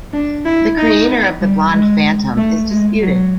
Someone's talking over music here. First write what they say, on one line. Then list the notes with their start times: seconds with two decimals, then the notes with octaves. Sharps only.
The creator of the Blonde Phantom is disputed.
0.13 D4
0.45 E4
0.77 D#4
1.08 B3
1.41 G3
1.72 G#3
2.37 A3
2.69 G#3
3.01 F#3